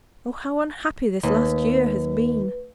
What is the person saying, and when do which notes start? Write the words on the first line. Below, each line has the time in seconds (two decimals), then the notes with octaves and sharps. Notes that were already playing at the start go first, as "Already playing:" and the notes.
Oh, how unhappy this last year has been!
1.23 D#2 B4